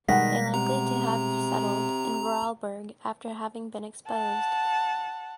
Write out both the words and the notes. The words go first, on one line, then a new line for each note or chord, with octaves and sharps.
They likely to have settled in Vorarlberg after having been exposed.
B2 D#3 G3 G#3 F#5 A#6 B6
C3 A#5
F#5 A5